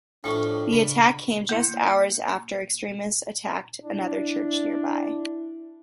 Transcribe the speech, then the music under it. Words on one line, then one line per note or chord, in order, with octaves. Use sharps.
The attack came just hours after extremists attacked another church nearby.
A2 F3 D4 G5 C#6
C#3 B5
A#3 E4
D4 E4